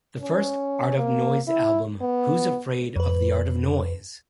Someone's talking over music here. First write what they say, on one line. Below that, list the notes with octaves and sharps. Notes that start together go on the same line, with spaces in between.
The first Art of Noise album, Who's Afraid of the Art of Noise?
C#4
A#3
E4
B3
F2 B4